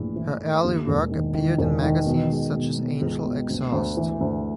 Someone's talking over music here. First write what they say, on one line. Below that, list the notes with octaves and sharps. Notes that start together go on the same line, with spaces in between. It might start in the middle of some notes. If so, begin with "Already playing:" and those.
Her early work appeared in magazines such as Angel Exhaust.
Already playing: A#1 A2 E3
E3
A3
D#2
E1
D#3
D#3
E1
D#3
B2
G#3
B2
B2
C#2
B2
D2
D2
E3
D2